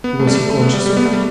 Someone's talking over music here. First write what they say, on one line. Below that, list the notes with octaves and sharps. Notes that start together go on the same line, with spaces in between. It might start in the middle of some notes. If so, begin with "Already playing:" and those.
Was he conscious of it?
B3
A3
G3
A3
A3
B3
G3
G3
B3
A3
G3